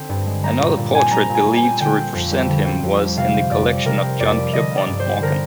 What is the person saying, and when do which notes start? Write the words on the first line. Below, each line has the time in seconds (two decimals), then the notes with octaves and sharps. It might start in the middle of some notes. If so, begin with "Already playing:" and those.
Another portrait believed to represent him was in the collection of John Pierpont Morgan.
Already playing: D3 C4
0.09 G2
0.26 G#3
0.43 G3 A#5
0.60 A#2
0.77 A#2
0.94 C4 G#5
1.11 G3 A#5
1.29 A#2
1.35 G#5
1.46 A#2
1.57 G#5
1.63 C4
1.80 D3 G5
1.97 C4
2.15 F2
2.32 G3
2.49 D3
2.65 C4
2.83 F2
3.00 G3
3.17 C3 F5
3.34 C4
3.51 F2 D5
3.68 G3
3.85 C3 A#4
4.02 C4
4.20 F2 D5
4.36 G3
4.53 D3 D#5
4.71 A#3
4.77 D5
4.88 G2
5.00 C5
5.05 G3
5.22 D3 A#4